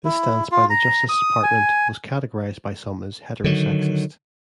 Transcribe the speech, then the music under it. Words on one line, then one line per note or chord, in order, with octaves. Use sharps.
This stance by the Justice Department was categorized by some as heterosexist.
E4
F4
A#5
D#6
G#5
D3 D#3 F#3